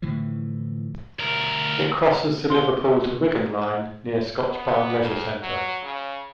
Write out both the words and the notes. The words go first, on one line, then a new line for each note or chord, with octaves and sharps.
It crosses the Liverpool to Wigan Line near Scotchbarn Leisure Centre.
A2 D3 E3 F3
D2 A#4
C6 G7
B3
F2
F#3
C#3